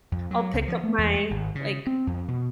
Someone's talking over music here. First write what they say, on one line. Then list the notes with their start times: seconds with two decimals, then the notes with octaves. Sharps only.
I'll pick up my, like,
0.12 F2
0.31 F#3
0.54 C#2
0.68 F3
0.84 A3
0.98 E2
1.15 G#3
1.31 G#1
1.55 C#3
1.87 C4
2.07 F2
2.28 B2